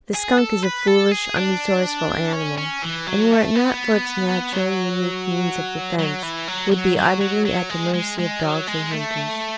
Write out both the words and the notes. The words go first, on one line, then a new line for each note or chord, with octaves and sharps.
The skunk is a foolish, unresourceful animal and were it not for its natural, unique means of defense, would be utterly at the mercy of dogs and hunters.
G#4
A4
B4
A4
G#4
D4
C#4
C#4
E3
F#3
A3
B3
F#3
F#3
E3
F#3
F#3
F#3
F#3
F#3
G#3
G#3
G#3
F#3
G#3
A3